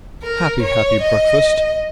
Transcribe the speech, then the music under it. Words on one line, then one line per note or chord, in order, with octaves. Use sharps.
Happy, happy breakfast!
A#4
C#5
D#5